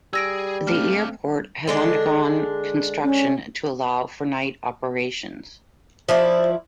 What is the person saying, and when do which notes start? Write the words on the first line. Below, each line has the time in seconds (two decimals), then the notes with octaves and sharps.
The airport has undergone construction to allow for night operations.
0.13 G3 G#4 E6 A#6 D7
0.67 A3 C4 D4 F5 F6
1.67 D3 G#3 D4
3.04 C#4
6.09 F3 E4 C5 D5